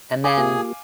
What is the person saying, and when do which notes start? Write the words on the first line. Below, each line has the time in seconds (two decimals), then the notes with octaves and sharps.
And then
0.24 G#4 F5 G#5 D6
0.37 A#3 F4 G4